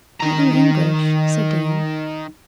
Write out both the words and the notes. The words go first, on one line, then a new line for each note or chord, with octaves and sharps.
'Aren't you English?' said Dan.
D#3 A#5